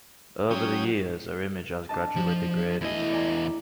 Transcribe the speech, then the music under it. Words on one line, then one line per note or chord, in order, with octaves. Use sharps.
Over the years, her image has gradually degraded.
F#3 C#4 G5 D#6
D4 D#5 A5
F3
E2 A3 E4 G#4 D#5
D5 G#5 A#5